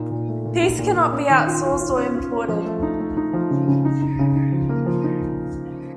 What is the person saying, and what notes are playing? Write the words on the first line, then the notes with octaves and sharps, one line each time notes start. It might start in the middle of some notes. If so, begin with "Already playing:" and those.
Peace cannot be outsourced or imported.
Already playing: A#2 D#4
A#2
A3
A#2
D#4
A#2
A#2
C#4
D#3
F4
F4
F4
C#4
F4
C#4
F3
A3
D#4
A3
D#4
F3
C#3
C#3
D#4
D#4
C#3
D#4
F3
A#3
F3
D#4